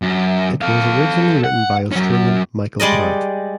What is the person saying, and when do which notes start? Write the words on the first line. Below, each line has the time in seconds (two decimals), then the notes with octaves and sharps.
It was originally written by Australian Michael Plant.
0.02 F#2
0.62 A4 F5
1.44 F#5
1.92 F#3 C#4
2.80 G3 G#3 D5 D#5